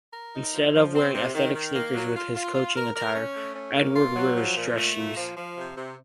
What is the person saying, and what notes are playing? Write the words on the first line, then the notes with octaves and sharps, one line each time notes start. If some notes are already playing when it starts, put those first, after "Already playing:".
Instead of wearing athletic sneakers with his coaching attire, Edwards wears dress shoes.
A#4
D#4
F3
F3
C4
C3
D#3
D#3
A#3
F#3
F4
F4
F4
A#4
A#4
C#4
A3
C#4
A#3
F4
F#3
F3
A#2
A3
A#2
F3
F3
C3
C3